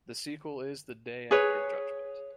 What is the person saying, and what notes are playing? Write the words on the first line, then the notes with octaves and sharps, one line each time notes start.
The sequel is "The Day After Judgment".
G#4 B4 C#5